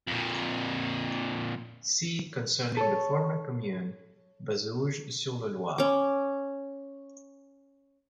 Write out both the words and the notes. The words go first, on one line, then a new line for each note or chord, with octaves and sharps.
See concerning the former commune Bazouges-sur-le-Loir.
F2 A#2
A4 C#5
C#4 D6